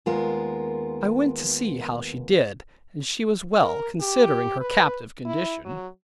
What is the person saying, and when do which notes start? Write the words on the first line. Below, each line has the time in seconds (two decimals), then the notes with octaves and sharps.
I went to see how she did, and she was well, considering her captive condition.
0.06 D#2 G#3 B3 F4 A#4
3.60 A#4
4.01 G4
4.60 B4
5.25 E4
5.65 F#3